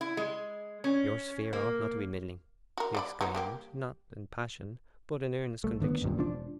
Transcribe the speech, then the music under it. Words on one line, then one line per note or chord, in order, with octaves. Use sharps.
"Your sphere ought not to be middling," he exclaimed, not in passion, but in earnest conviction.
E4
G#3
C#4
A#3
F#4 A#4
G3 D5 B5
F#3 B3 D#4
G3 A#3 G4
C2 A3
G#1 D3 D#3 B3
G#1 C#2 G2 A#2
E1 F3 D4